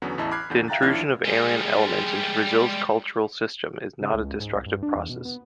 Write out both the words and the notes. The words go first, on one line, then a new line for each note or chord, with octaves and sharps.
The intrusion of alien elements into Brazil's cultural system is not a destructive process.
E2 D3 F#3 B3 C#4
A1 E2 E4 D#5 A5
B5 D6 F6 F#6 G#6 C7
E2 D3 G6
E5 F5 G5 A#5 F#6 A6
D#2 F3 D4 E4 F6 C7
G3 G#3
C#3
C#2
G#2
C2
G2
D4
E2
B2
B3